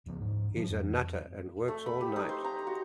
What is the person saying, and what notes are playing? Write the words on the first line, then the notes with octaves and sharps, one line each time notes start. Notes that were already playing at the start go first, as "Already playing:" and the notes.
He's a nutter and works all night.
D1 C#2 F3 B3
G#2
E3 F#3
F2
A3
B5
G4
D#4
C5
A#5
F#4